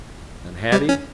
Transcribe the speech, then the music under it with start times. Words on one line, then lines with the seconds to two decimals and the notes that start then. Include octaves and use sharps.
And Hattie?
0.72 G3
0.89 C#4